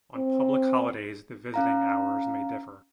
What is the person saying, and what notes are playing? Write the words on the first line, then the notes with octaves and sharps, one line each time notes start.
On public holidays the visiting hours may differ.
C4
C#4 F5 A#5